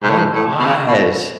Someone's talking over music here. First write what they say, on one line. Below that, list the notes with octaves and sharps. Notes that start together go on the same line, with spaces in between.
Oh gosh.
G#2
A2
G#2
A2
B2
C#3
B2